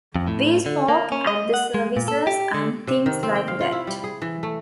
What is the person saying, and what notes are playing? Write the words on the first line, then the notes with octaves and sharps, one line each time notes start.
We spoke at the services and things like that.
F2
A2
D3
A#3
C#4
D#5
F#5
G#3
A#2
A4
G4
D3
C3
D#3
C4
G5
F5
F4
E4
G3
G#4
E3
A3